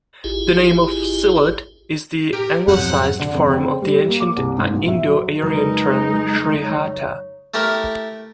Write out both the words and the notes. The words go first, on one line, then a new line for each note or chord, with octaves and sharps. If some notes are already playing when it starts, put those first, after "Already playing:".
The name of "Sylhet" is the anglicized form of the ancient Indo-Aryan term "Srihatta".
G#1 E4 F4 G4 G#4
G4 A#4
F2 G#2 B2 F#3 F#5
D3
F1
C4
C5
G3
A#3
D6
C2
G#2
B1
E5
F#3
F2 C#3 F#3 G#3 D#4 A#4 B4
C#5
A3 E4 G4 A#4